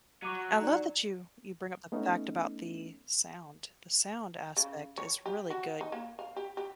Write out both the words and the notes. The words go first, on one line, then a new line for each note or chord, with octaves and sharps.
I love that you you bring up the fact about the sound. The sound aspect is really good,
F#3 C#6 D6 D#7
D#4 D5
A3 B3 C#4 D#4
C#3
C#5
G4
F#4
D#4
A#3
F5
G4
G4